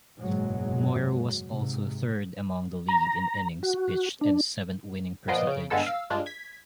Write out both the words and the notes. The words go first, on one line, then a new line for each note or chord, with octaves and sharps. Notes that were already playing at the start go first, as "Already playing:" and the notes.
Moyer was also third among the league in innings pitched and seventh winning percentage.
F#1 G#2 B2 F#3 G#3
G#2 C3
A#5
F#4
D4
A#2 F3 B3 D#5 C7 D7
C#3 D7
G2 D3 G#3 B3 A4 E6
F5 E6
G2 G#3 D4 F4
G#6 B6